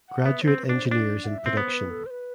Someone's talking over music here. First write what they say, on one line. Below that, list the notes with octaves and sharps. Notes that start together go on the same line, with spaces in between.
Graduate Engineers in Production.
F#5
B3 E5
C5
C4
B4
D4
C5
D4
F#5
E5
C4
B3 C5
B4
A4
C5
B4